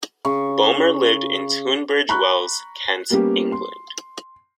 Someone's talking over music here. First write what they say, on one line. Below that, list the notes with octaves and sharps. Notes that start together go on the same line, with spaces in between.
Bulmer lived in Tunbridge Wells, Kent, England.
C#3 C#6
A#5 B5 C#6 F#6
G3 A#3 B3 C#4 G4
C6